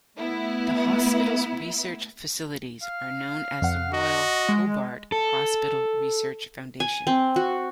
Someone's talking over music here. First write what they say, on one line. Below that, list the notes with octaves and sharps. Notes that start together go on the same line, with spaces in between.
The hospital's research facilities are known as the Royal Hobart Hospital Research Foundation.
A3 B3 E4
F5
F2 F#5
F#4 D#5
G#3
A4
G#5
C4
F#4